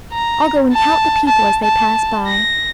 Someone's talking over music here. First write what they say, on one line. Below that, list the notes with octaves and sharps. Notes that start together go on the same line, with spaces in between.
I'll go and count the people as they pass by.
A#5
A5
A5
A5
A#6